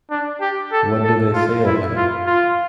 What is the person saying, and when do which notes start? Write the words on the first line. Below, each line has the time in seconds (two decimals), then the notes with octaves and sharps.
What do they say of him?
0.11 D4
0.41 G4
0.72 A4
1.04 A4
1.34 F4
1.65 E4
1.96 F4
2.27 F4